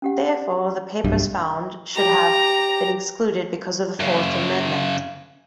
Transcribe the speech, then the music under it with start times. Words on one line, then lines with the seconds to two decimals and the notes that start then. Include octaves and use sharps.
Therefore, the papers found should have been excluded because of the Fourth Amendment.
0.02 C#4 G4 F#5
1.04 B1 G2
1.95 G4 A#5
4.00 F#2 C#3